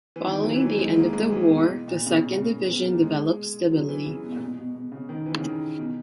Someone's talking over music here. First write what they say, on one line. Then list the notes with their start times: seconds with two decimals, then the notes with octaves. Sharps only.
Following the end of the war, the second division developed stability.
0.16 E3
0.27 D#3
0.39 F#3
0.44 E3
0.54 E3
0.61 F#3
0.78 G#3
0.96 A#3
1.13 G#3
1.30 E3
1.47 B2
1.64 B2
1.88 A#2
2.06 C#3
2.10 B2
2.33 C#3
2.68 B3
2.86 A#3
3.02 G#3
3.71 F#3
3.89 E3
4.06 C#3
4.23 B2
4.32 A#2
4.40 B2
4.57 B2
4.74 B2
4.92 C#3
5.09 D#3
5.26 E3
5.36 C#3
5.43 D#3
5.78 B2